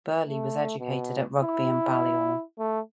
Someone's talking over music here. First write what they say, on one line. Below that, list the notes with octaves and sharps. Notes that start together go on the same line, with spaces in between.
Birley was educated at Rugby and Balliol.
A3
B2
E4
A3